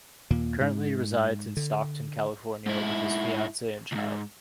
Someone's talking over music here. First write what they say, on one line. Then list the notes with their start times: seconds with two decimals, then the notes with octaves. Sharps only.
Currently resides in Stockton, California with his fiance and child.
0.30 D#2 A#2 A#3
0.61 G#2
1.57 D3
2.66 G#2 E4
3.92 C#2 G#2